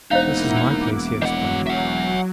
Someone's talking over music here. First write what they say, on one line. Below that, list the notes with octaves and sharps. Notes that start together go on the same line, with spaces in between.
"This is my place," he explained.
E1 A#3 D#4 E4 C5 D#5 F5 F#5
D6
D#3 F#3 D#5 F#5
E5 F#5